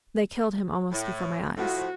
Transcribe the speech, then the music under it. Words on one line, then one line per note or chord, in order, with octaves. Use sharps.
"They killed him almost before my eyes."
A2
A2 F3 F#4